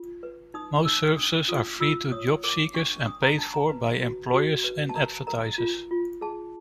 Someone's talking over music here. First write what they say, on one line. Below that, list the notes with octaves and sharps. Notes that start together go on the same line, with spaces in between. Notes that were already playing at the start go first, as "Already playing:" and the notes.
Most services are free to job seekers and paid for by employers and advertisers.
Already playing: F4
B4
D#4 D#6
D#4 E6
D4 D#6
F4 D#6
F4 E6
C#5 D#6
A#4 D6
D4 C#6
D4 D#6
A#5
D4 A5
A#5
B4
F#4
F#4
B4
A5
A#4 A#5
A#4 A#5
F4
F4
G#4 A5